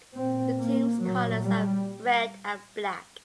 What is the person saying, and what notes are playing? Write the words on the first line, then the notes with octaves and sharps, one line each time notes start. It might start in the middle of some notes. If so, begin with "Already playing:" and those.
The team's colours are red and black.
A#2 C4
A#3
A#2 F#3
G3